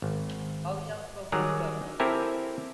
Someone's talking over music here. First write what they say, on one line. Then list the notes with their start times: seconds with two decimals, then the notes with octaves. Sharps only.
How the young folk shoot up, don't they?
0.02 G#1
1.32 D#3 F#3 G3 G#4 D5 A#5
2.00 C4 E4 G4 A4 A#4 G#5